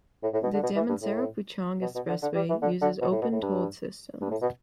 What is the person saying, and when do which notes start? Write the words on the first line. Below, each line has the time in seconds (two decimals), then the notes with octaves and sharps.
The Damansara-Puchong Expressway uses opened toll systems.
0.23 A2
0.33 A2
0.43 B2
0.53 D3
0.63 B2
0.76 E3
0.89 G2
1.02 A2
1.82 B2
1.95 B2
2.09 D3
2.22 D3
2.35 G3
2.49 E3
2.62 D3
2.82 D3
3.01 B2
3.12 A2
3.22 B2
3.32 A2
3.42 G2
4.22 G2
4.31 A2
4.42 B2